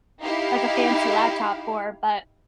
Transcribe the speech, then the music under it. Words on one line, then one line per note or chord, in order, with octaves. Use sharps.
like, a fancy laptop for, but.
D#4 E4 G4 F5